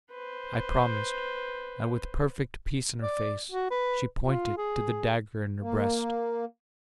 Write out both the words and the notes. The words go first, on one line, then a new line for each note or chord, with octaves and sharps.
I promised, and with perfect peace in her face, she pointed to the dagger in her breast.
B4 C5
D5
F#4
B4
F4
G#4
A#3